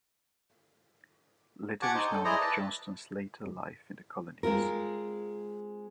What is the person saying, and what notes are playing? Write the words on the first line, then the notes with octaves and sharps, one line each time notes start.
Little is known of Johnston's later life in the colonies.
G4 F#5 G#5 A5 C#6 D6
D#4 C5
A4
E4 G#4 C5 D5 D#5 A#5
B4 A5
G#3 C4 F4 A#4